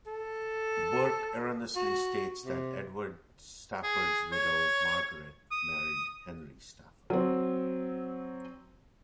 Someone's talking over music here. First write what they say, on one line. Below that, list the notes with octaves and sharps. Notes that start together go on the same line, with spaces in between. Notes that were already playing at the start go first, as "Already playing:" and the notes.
Burke erroneously states that Edward Stafford's widow, Margaret, married Henry Stafford.
A4
F#4
C3
G#4
C#5
D#6
F#3 C4